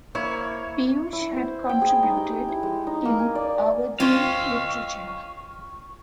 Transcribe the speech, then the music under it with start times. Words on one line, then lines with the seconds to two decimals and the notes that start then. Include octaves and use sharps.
Piyush had contributed in Awadhi literature.
0.15 A#3 E4 C#5
1.13 E4
1.36 C5
1.69 G5
1.82 G#4
2.03 D#4
2.17 G4
2.48 E4
2.63 G#3
2.87 D#4
3.05 A#3
3.19 G#5
3.35 D5
4.00 C#4 F4 C5 D#5 F5 G5 C#6